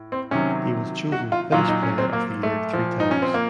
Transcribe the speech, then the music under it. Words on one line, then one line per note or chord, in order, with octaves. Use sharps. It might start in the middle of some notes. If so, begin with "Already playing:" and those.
He was chosen Finnish Player of the Year three times.
Already playing: A2
C4
C3 D#3 F#3 C#4
F#4
F4
A#2 F#3 F4
D#4
C#4
C4
A#3
A3
A#2 F3
D#4
C#4
C4
A#3